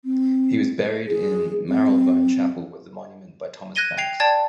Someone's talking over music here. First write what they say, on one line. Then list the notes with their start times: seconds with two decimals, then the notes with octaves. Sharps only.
He was buried in Marylebone Chapel with a monument by Thomas Banks.
0.05 C4
1.08 G#4
1.68 C4
3.76 F#6 G#6 A#6 D#7 G7
3.98 G5 G#6 C7 F7
4.20 D5 G5 A5 G#6 A6